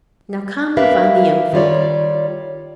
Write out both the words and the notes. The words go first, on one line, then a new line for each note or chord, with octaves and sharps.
Now, come and find the young folk.
G4 A#4 B4 E5 F5
D#3 G3 F4 C#5 D5